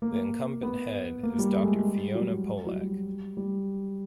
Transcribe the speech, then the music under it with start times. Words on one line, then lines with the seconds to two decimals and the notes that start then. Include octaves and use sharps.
The incumbent Head is Doctor Fiona Polack.
0.02 A#3
0.63 B3
1.23 A#3
1.39 G3
1.54 A3
1.64 G#3
1.74 G3
2.15 F#3
2.67 F#3
2.75 G3
3.37 G3